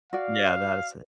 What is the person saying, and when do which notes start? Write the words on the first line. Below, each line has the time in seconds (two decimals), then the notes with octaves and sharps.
Yeah, that is it.
0.13 F#4 D5 F5